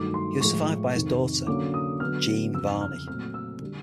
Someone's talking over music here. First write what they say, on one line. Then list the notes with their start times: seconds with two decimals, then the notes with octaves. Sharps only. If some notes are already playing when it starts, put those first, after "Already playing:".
He was survived by his daughter Jeanne Varney.
Already playing: G2 D#3 F#3 A3 D6
0.14 C6
0.41 A2 F3 G#3 C#6
0.94 F2 C3 D#3
1.47 D3 F#3 A#3 C#4 D6
1.74 D#6
2.00 D3 F#3 B3 F6
2.54 F2 C#3 F3 E6
2.81 F6
3.07 A#2 F#3 A3 C4 F6
3.34 E6
3.61 D3 G3